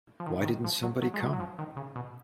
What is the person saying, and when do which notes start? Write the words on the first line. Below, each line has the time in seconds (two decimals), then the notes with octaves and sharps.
Why didn’t somebody come?
0.20 F3
0.26 D#3
0.41 C#3
0.45 D#3
0.64 F3
0.83 F#3
1.02 F#3
1.14 G#3
1.20 F#3
1.33 F#3
1.40 F3
1.59 D#3
1.77 C#3
1.96 B2